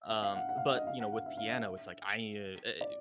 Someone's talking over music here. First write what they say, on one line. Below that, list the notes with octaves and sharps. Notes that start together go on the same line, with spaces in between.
Um, but, you know, with piano, it's like I ee uh, eh,
E5
F5
F#5
F#5
F5
F5
D#5
F5
F#5
F5
E5
F5
E5
D5